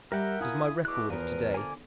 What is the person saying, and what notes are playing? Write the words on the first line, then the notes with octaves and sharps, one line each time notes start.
It is my record of to-day.
G3 G4 A#4 E5 F#5 G5 A#5
E4 F4 G#5 D#6
E2 B2 D6 F#6
E2 F3 A#4 B4
D3 G#5 D6